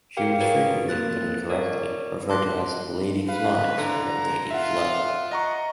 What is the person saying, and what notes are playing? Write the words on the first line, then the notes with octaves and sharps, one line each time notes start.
She was frequently, but incorrectly, referred to as "Lady Florence" or "Lady Flo".
G4 A#4 F5 G5
F#4 G#4 A#4 B4 C#5
A#3 A#4 F#6 A6
A#4 C#5 D5
A5 C6 D6 F#6
B4 F5
D3 A#5
F4 E5 F#5
D#5 F#5 A#5 C#6